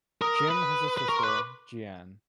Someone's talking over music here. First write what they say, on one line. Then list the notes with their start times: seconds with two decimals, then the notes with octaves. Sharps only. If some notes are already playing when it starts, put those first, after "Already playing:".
Jim has a sister, Jeanne.
0.22 A#4 D#6
0.36 D#6
0.50 B4
0.97 B4
1.09 A#4 C#6
1.18 B4 C6
1.28 D6